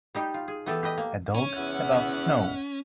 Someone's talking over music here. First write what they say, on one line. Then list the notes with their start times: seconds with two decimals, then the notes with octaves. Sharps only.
A dog above snow.
0.15 G3 D#4 G4
0.34 F4
0.48 G#4
0.66 E3 B3 G4 A4
0.83 G4 B4 D#5
0.98 A#3
1.35 C#4 C#5
1.55 E2 E4 F#5